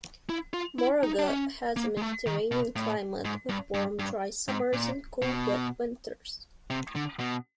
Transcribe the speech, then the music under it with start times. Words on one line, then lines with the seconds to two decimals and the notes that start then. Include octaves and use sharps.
Moraga has a Mediterranean climate, with warm, dry summers and cool, wet winters.
0.30 E4
0.54 F4
0.79 E4
1.03 D#4
1.19 D4
1.27 C#4
1.77 A#3
1.97 G#3
2.02 A3
2.26 D#3
2.51 B2
2.76 A2
3.25 G#2
3.49 G2
3.74 G2
3.99 G2
4.48 G#2
4.73 A#2
5.22 B2
6.70 C3
6.95 D3
7.20 B2